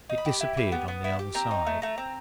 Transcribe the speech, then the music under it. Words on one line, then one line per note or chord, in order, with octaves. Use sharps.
It disappeared on the other side.
D#4
B5
G4
E4
G4
B3
B3
E4
G4
C4 A#5
D#4
A3
A3 A#5
C4